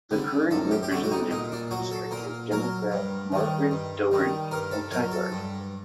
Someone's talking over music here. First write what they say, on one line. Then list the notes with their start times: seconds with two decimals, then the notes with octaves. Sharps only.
The current representative for the district is Democrat Margaret Doherty of Tigard.
0.11 D3 G3
0.51 F#2 A4
0.71 G4
0.83 G4
0.91 D3 G3 F#4
1.03 F#4
1.12 D#4
1.31 A#2 D#4
1.52 D4
1.71 F#3 F#4
1.91 A4
2.11 A#2 A#4
2.51 F#3 A#4
2.92 G2
3.32 D#3 G3
3.71 G2
4.12 D#3 G3
4.51 G2 A#4
4.71 A4
4.92 F#3 A#4
5.12 A4
5.32 G2